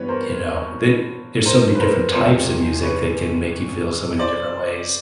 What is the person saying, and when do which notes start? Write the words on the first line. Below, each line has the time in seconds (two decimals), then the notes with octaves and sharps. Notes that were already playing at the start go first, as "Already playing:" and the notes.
you know? Th there's so many different types of music that can make you feel so many different ways.
Already playing: G2 E3 G3 B3 B4 C#5
0.08 A#4 C5
1.46 A#4 C5
1.75 B4
1.80 A#4 C5
2.14 E2 C3 F3 G#3 C4 A#4 C5
2.83 B4 C#5
4.19 C5 D5